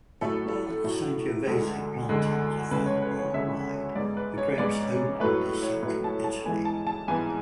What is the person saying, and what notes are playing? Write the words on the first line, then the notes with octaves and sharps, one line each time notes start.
While Sangiovese plantings are found worldwide, the grape's homeland is central Italy.
A2 F#3 A3 A4
A2 F#3 A3
D2 D3 G#3
D2 D3 G#3
D2 C#3 G#3 B4
C#5
B4
C#5
D2 C#3 G#3 E5
G#2 G#3 B3 D5
B4
C#5
G#2 G#3 B3 D5
A2 F#3 A3 B4
C#5
A2 F#3 A3 B4
A5
A5
G#2 E3 G#3 B3 G#5
A5
A5
G#2 E3 G#3 B3 G#5